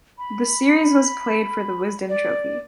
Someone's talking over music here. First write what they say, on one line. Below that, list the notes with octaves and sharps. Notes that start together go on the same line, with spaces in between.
The series was played for the Wisden Trophy.
B5
D5